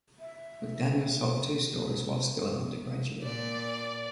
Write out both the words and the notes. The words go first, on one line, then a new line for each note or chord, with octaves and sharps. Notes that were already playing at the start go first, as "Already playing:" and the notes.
McDaniel sold two stories while still an undergraduate.
E5
A#2 D5